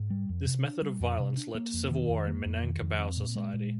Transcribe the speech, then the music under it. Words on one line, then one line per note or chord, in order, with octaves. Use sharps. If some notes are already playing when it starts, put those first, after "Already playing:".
This method of violence led to civil war in Minangkabau society.
Already playing: G#2
G3
F2
C3
D4
G3
F2
C3
D4
A#3
F2
D#3
F2
A#3
F2
D#3
F2
C4
A#2
G#3
A#2